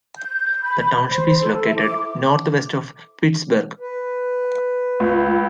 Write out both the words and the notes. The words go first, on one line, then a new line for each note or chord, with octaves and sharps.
The township is located northwest of Pittsburgh.
G6
B5
C5
A4
E4
D6
B4
C#2